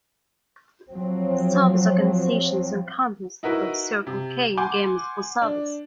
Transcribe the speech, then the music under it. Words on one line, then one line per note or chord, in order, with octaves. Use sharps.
Service organizations on campus include Circle K and Gamers for Service.
F3 F#3 C4
D#4 E4 F#4 A#4 B4 E5
C3
F#5 G#5 C6 D6 G6
D4